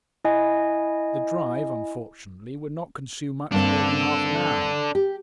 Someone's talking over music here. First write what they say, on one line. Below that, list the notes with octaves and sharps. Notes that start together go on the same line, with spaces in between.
The drive, unfortunately, would not consume much more than half an hour.
E4 D#5 G#5
G2 A#3 C4 D4 A4
G4